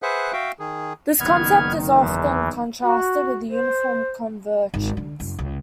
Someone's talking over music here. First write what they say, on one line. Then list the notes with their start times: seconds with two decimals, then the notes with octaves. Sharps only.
This concept is often contrasted with uniform convergence.
0.02 G#4 B4 C5 E5 F#5 F#6
0.33 F#4 E5 F5 G5
0.59 D#3 G#4
1.20 F#1 D#3 B3 F6 G#6
2.00 E2 E3
2.83 F#4
3.50 C5
4.74 G#1
4.97 D3
5.20 F#1
5.39 C#2